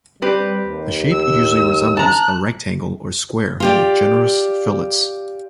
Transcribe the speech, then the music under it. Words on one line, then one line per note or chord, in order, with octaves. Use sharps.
The shape usually resembles a rectangle or square with generous fillets.
G3 C4 G4 B4
D#2
E6
A5 A#5 F#6
F4 G4 D5